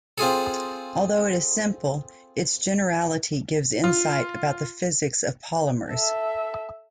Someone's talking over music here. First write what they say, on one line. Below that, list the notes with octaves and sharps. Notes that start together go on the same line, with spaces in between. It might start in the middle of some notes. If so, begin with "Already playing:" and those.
Although it is simple, its generality gives insight about the physics of polymers.
C4 F4 G#4 A4
F4
A4 E5